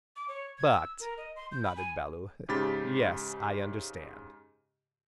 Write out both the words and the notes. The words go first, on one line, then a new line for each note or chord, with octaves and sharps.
"But!" nodded Bellew, "yes, I understand."
D6
C#5
G#6
E6
A#4
D#5
C6
G6
B5
G#5
G#2 C#3 G4 B5 A6